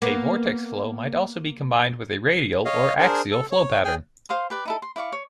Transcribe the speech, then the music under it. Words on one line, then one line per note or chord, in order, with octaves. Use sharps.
A vortex flow might also be combined with a radial or axial flow pattern.
A#3 B3
C#5 D#5 F5
D4 G#4 A#4 C5
A4
C#5
G#4 G5 G#5
C5 F5 C6 D#6
G4 B4 D5
D#4 E4 A4
C6
E4 D5 F5 C#6
C#5